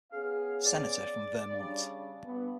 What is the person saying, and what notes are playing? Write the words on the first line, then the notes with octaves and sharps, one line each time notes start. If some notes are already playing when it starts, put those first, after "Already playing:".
Senator from Vermont.
B3 C#4 G#4 F5
D5
C#3 G3 D4
G2 B3